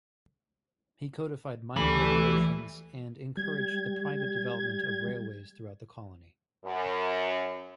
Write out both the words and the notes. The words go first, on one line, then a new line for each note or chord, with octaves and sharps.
He codified mining regulations and encouraged the private development of railways throughout the colony.
D2 E3 G3 A3 B5
G3 G#6
F#2